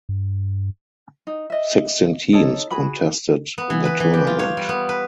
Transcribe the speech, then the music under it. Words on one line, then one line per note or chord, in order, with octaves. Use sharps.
Sixteen teams contested the tournament.
G2
D#4
D#5 E5
D#4 A4 C#5 A5
F#4 G#4 B5
B3
E3
B4
E3
G4
F4
C#5
G3
B3
B4